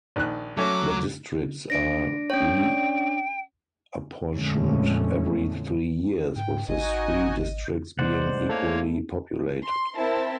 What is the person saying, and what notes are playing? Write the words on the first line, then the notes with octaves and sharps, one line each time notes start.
The districts are reapportioned every three years, with the three districts being equally populated.
A#1 D#3 F#6
F#3 A3 C#4 D6
D4 A#6 D7
C#4 C#5 G5
F2 A#2 D3 G#3 A3 C#4
G#2 G5
G#1 D#4 F#4 D#5 G#5
C2 G#2 C5 D5 F#5
A3 A#3 E4 A4 C#5
C6
C4 E4 A#4 C5 E5 A5